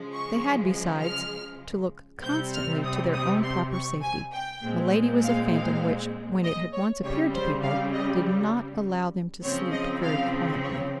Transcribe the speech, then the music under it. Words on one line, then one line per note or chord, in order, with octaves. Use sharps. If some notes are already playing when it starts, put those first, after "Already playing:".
They had, besides, to look constantly to their own proper safety; Milady was a phantom which, when it had once appeared to people, did not allow them to sleep very quietly.
Already playing: C#3 F3 G#3
C#6
F6
C3 G3 C4 G6
F6
D#6
D#6
C6
C#6
G#5
G5
A#2 G#3 C4
F5
F5
D#5
C#5
C#3 G3 C4 C#5
C5
F5
D#5
C#3 F3 C4 C#5
D#5
F5
C#5